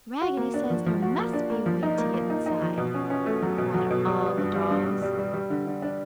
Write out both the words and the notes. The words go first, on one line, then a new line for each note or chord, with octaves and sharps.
"Raggedy says there must be a way to get inside!" cried all the dolls.
F#4
A#3
D4
F3
F3
F#4
A#3
D4
A#3
F3
D#4
A#3
A#3
D#4
D#4
F3
B2
C#4
C#4
A3
F#3
B2
F#3
B2
G3
G3
G2
G3
G2
G2
G3
G3
G3
D3
D3
D4